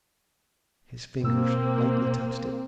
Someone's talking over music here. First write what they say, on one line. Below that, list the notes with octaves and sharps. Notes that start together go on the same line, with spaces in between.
His fingers lightly touched it.
B2 A#3 C4 E6